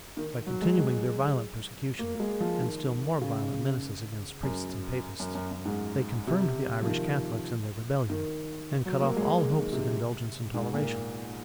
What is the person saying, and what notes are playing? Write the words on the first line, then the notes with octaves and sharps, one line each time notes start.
By continuing their violent persecution, and still more violent menaces against priests and Papists, they confirmed the Irish Catholics in their rebellion, and cut off all hopes of indulgence and toleration.
D#3
F#3
G#3
G#3
A#3
A#3
G#3
F3
D#3
C#3
F#2
F#2
F#2
F#2
G#2
C3
F3
D#3
D#3
F#3
A#3
G#3
D#3
C3
G#2
A#2